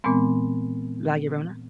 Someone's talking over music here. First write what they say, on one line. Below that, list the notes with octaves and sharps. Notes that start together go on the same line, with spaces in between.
La Llorona.
A#2 E3 G#3 B3 C4